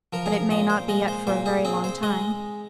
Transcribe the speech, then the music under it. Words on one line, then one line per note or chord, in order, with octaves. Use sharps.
"But it may not be yet for a very long time."
F3 A#4
G#4
A#4
A#2 D#5
C5
G#3 D#5
C5
A#2 C5
G#4
C4 G#4
C5
G#3 D#5